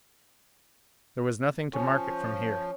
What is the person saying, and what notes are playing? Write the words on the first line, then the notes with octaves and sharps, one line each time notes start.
There was nothing to mark it from here.
F3 C#4 C#5